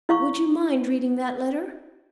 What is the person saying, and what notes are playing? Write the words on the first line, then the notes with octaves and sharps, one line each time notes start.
Would you mind reading that letter?
E4 F5 C#6